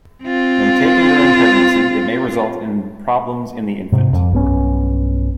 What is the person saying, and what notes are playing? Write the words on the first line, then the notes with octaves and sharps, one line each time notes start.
When taken during pregnancy it may result in problems in the infant.
C4 F4
G#2 C3
F2
B1 G2 B3 C#4